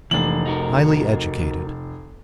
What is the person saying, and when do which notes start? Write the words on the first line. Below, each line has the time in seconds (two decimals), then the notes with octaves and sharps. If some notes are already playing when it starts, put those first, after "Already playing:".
Highly educated.
0.11 F1 E3 A#3 D4 F#7
0.46 D#4 F#4 A#4